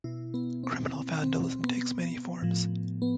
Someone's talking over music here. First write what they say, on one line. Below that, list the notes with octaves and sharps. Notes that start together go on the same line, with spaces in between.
Criminal vandalism takes many forms.
B2 E4
B3
C4
B2 C4
C4
B3
A2 F3
B3